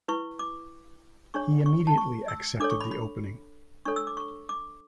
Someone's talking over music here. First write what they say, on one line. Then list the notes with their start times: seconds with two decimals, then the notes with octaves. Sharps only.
He immediately accepted the opening.
0.08 E4 B4 C#6
0.39 D6
1.34 D4 G#4 C#5 C#6
1.66 C#6
1.87 A5
1.98 C#6
2.28 E6
2.60 D4 A4 C#5 D6
2.71 C#6
2.80 B5
2.91 B5
3.85 D4 A4 C#5 C#6
3.96 E6
4.07 D6
4.17 C#6
4.49 D6